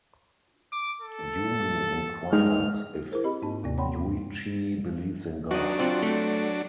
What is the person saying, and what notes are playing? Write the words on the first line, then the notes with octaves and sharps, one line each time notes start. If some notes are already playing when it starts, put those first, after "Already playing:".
Yumi inquires if Yuichi believes in God.
D6
A4
G#3 D#4 F6
E4 G#4 A#4 C5
C4 G4 D#5 B5
G#2 A#3 D#4 A5
D#2 C3 A#3 D5
C4 C#5 F#5 G5 B5 C6
F#3 D4 D#4 F#4
C4 F4 F#4
A3